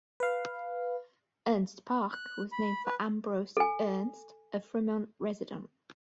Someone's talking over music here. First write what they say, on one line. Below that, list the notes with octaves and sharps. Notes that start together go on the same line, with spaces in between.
Ernst Park was named for Ambrose Ernst, a Fremont resident.
B4 F5
F#6
B5
B4
A4 G#5